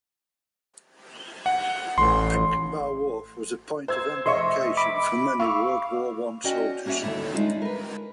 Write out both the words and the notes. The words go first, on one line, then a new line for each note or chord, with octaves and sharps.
Pinkenba Wharf was the point of embarkation for many World War One soldiers.
F#5
A1 C6
C5 E6 G#6
F1 D#5 E5 C6 C#6
B5 D6
F5 C#6 E6
C#4 F#4 D5 D#5 G5
A#3 C#4 F#4 C#5 E5
D#2 D3 A3 D#4 E4 C#5
G#3 D4 D#4 F4 E5
A#4 B4